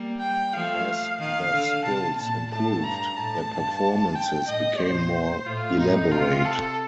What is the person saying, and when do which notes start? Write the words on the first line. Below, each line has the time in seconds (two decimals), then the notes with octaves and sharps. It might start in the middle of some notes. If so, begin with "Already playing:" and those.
As their skills improved, their performances became more elaborate.
Already playing: G3 A#3
0.20 G5
0.52 F3 A3 F5
1.19 D#3 F5
1.51 D3
1.84 C3 A5
2.17 A#2 A5
2.50 A2 A5
2.83 G2 A#5
3.15 A2 A5
3.49 G2
4.15 G5
4.47 A2 D#5
4.80 A#2 C5
5.46 A2 F4
5.79 A2 D#4
6.11 C3 F4
6.45 A4